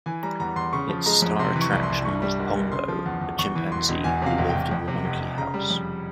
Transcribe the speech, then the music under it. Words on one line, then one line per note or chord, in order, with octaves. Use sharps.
Its star attraction was "Pongo", a chimpanzee who lived in the Monkey House.
E3 G#5
G3 A#5
E2 A#5
E2 C6
C#3 C#6
F3
G#3 A#5
F2
C3 C6
E3
C#6
C2
C6
C2
G2 C#6
G3
G#1
G#1
C#3 C6
F3
E2
E2
E2 C#6
E3
E1 C6
E1
E2 G#5
C3 F5
E1
G5
E1
F2
C3
F1
F1
C#3 A#5
G3
F2